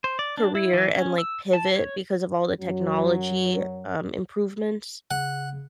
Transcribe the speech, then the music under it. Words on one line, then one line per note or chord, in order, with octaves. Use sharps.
career and, like, pivot because of all the technology, um, improvements?
C5
D5
D4
E4
E3
C#4
E6
A5
C#5
F#2 F#3
C#3 F#5